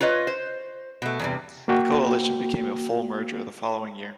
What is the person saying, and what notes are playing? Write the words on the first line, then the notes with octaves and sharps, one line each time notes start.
The coalition became a full merger the following year.
F4 B4 C#5 D#5
C5
B2 A3
E2 G2 C3
A#3 F#4 G5